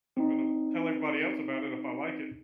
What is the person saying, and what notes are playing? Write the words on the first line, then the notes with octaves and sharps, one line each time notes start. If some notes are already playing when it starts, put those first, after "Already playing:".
I'm gonna tell everybody else about it if I like it."
C4 D4 D#4